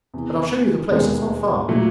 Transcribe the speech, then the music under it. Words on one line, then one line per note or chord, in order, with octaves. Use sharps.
But I'll show you the place, it's not far.
E2 C3 E3
E1 D#2 D#3 G#3 B3
A#2 F#3 A3